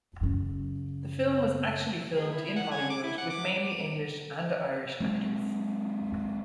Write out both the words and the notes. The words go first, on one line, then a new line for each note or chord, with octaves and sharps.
The film was actually filmed in Hollywood with mainly English and Irish actors.
F#2 C#3
G#4
E4
E4
F#5
G#5
D6
E4
F#5
D6
F#3 G#3 C4